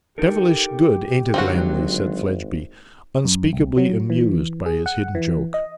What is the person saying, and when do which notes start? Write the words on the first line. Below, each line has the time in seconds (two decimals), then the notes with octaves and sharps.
'Devilish good, ain't it, Lammle?' said Fledgeby, unspeakably amused by his hidden joke.
0.18 D#4 G4 A4 A#4
1.34 G#1 D3 F#3 C4 F4 F#4
3.25 F#2
3.53 C2
3.78 F#3
4.10 E3
4.66 G#4
4.86 F#5
5.15 E3
5.54 D#5